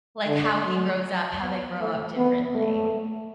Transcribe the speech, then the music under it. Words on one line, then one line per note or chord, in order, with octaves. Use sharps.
like, how he grows up, how they grow up differently.
D3
F#3
B3
A3
B3
A3